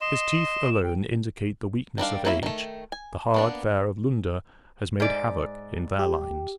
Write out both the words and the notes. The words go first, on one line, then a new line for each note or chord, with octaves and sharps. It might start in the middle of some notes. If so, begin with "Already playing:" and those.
His teeth alone indicate the weakness of age; the hard fare of Lunda has made havoc in their lines.
D#5 C6 E7
G5
D#3 G3 D4 F5
A#3 C#4 E4 A4 E5
D#3 A3
G#5
A#3 B3 D4
G#2 D5
G4